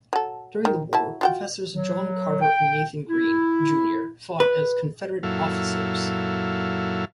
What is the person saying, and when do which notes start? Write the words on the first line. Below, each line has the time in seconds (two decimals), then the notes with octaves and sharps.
During the war, professors John Carter and Nathan Green, Junior fought as Confederate officers.
0.13 F#3 A4
0.65 D#3
0.93 F#3 E4 A5
1.21 F4 F#4 G5
1.72 F#3
2.41 G5
3.09 E4
4.40 B4
5.23 F#2 A#2 F#3 E4 A4 F5